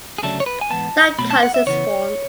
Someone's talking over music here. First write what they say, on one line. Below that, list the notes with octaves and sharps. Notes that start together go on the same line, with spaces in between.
No callus is formed.
G#4
D2 C#3 F#3 A3 D4 A4
C#5
B4
G#5
G#2 E3 B3 A5
B2 F#3 A3 B5
A5
F#5
E5
C#3 E3 B3 C#5